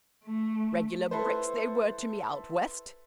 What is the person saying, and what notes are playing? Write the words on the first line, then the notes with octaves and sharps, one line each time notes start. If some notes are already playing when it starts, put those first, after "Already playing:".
Regular bricks they were to me out West!
A3
E4 A4 B4 C5